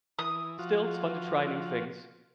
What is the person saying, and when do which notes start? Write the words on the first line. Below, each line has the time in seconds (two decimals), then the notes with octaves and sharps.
still, it's fun to try new things.
0.19 E3 D#6
0.59 F3 F4 F#4